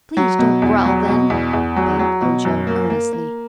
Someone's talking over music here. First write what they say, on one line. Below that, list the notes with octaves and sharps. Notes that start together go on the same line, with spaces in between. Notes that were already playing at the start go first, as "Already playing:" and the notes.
"Please don't growl, then," begged Ojo, earnestly.
F#3
B2
E2
F#3
B2
E2
E2
F#3
F#3
B2
F#2
A#3
A#3
A#3